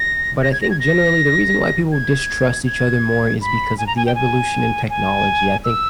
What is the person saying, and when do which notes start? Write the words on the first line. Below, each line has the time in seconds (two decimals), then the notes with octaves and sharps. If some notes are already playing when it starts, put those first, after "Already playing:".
But I think, generally, the reason why people distrust each other more is because of the evolution in technology, I think
Already playing: A#6
0.43 A#6
0.52 G#6
0.62 A#6
0.71 G#6
0.80 A#6
1.92 G#6
2.66 G#6
3.41 B5
3.78 G#5
3.87 A#5
3.97 G#5
4.06 G5
4.15 G#5
4.90 G#5
5.64 E6